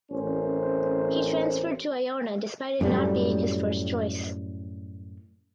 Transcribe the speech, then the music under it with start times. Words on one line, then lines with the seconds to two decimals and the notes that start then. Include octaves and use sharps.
He transferred to Iona despite it not being his first choice.
0.12 A1 C4 C#4 A#4 C5
2.81 F#2 A2 G3